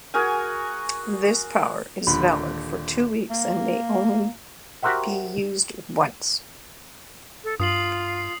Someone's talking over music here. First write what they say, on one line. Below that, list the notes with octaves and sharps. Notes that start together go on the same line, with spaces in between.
This power is valid for two weeks and may only be used once.
F#4 G#4 A#4 G#5
D#1 D3 B5
A#3
F#4 G4 A#4 C5 E5 F#5
A4
G2 F4 D#6 C7 F#7